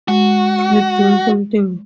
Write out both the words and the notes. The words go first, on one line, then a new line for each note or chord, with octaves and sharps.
Try doing something.
G#3 F#4